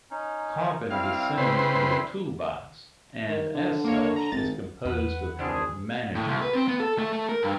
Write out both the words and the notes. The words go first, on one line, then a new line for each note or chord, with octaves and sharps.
Carbon descends from the Toolbox, and as such, is composed of "Managers".
C#4 D#4
G3 C4 E4 F5
C#3 B4 C5
D#3
D3
A#3 C#5
A#5
G#1 A6
E2 B4 F#5
G#1 C#2 E3 G3 D4 G#4 C5
A2
C2
B4
C4
B3
A4
A3
A3
A#4
G2